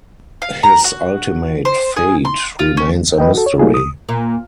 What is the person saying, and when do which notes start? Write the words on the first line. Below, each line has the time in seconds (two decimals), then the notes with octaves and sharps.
His ultimate fate remains a mystery.
0.42 F5
0.63 A#5
0.84 F#4
1.65 C5
1.96 G#4
2.25 C6
2.59 F4
2.77 C#4
3.18 B4 D#5 G5
3.34 F#4 A4
3.46 C#5
3.59 F#3 A3 A#3 D#4 F4 G#4
3.74 D#6
4.09 A#2